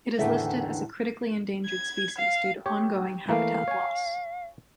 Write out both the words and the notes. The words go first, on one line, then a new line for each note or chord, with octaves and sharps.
It is listed as a critically endangered species due to ongoing habitat loss.
E2 A2 D3 D#3 A4 E5
G#6
F5
G4 C#5
E3 A3 A#3 F5
C#5 G#5